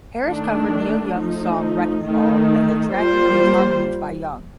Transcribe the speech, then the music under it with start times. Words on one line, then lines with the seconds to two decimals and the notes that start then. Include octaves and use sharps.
Harris covered Neil Young's song "Wrecking Ball", and the track includes harmonies by Young.
0.24 D#3 A3 D4
1.14 F3 A3 D#4
2.04 D#3 A3 D#4
2.94 G3 A#3 F4 C5